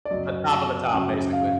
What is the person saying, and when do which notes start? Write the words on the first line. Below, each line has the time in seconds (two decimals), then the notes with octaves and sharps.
The top of the top, basically.
0.05 D5
0.11 F#2 C#3 F#3 D#5
0.92 F#2 C#3 F#3 E5
1.33 F5